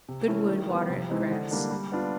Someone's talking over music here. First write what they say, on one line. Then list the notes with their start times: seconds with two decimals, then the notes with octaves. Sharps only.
Good wood, water, and grass.
0.09 C3
0.28 E3 A3 C#4 E4
0.48 D#3
0.69 G3 B3
0.90 C3
1.09 E3 G#3 C4 D#4
1.31 D3
1.51 G3 A#3 D4
1.71 G3
1.92 B3 D4 F4